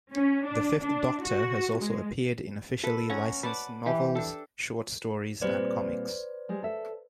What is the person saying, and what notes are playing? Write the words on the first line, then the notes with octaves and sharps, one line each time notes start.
The Fifth Doctor has also appeared in officially licensed novels, short stories and comics.
C#4
D4
D4
F#4
G#3
A4 B4
C#4 F#5 A#5 C#6
B4 D5 F#5 A5
E3 G4
D4 A4
A#2 G3 C4 B4 C5 D5
G3 G#3 G#4
A4 E5